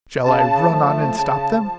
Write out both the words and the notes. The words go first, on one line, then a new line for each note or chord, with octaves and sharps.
"Shall I run on and stop them?"
C#3 A5
F3 A3
C#3
F3